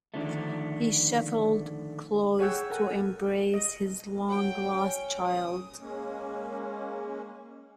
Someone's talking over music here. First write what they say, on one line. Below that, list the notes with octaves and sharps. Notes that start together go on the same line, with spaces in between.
He shuffled close to embrace his long lost child.
D3 D#3 F3 A3
G#4 C#5 F#5 G5 E6
A4 A#4 F#5 G#5
D#5
F#3 G5
C#4
D#6
G#3 A#3 C#4